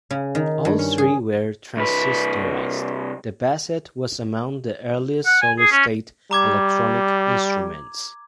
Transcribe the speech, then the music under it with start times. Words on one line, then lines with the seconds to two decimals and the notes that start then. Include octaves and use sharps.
All three were transistorized; the Basset was among the earliest solid-state electronic instruments.
0.11 C#3
0.35 D#3
0.65 G2
0.79 C#4
0.98 G#4
1.77 C2 B4
5.26 F#5
5.42 G#5
5.59 G#4
5.71 C#4
6.31 G3 A#5 D6 G#6